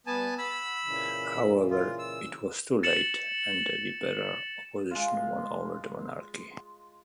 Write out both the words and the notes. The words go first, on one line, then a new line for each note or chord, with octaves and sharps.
However, it was too late, and the liberal opposition won over the monarchy.
G3 B3 G#5 A5
F#5 B5 E6
A#2 C#3 E3
F4
E6
A6 C#7 E7 F#7
G#3 F4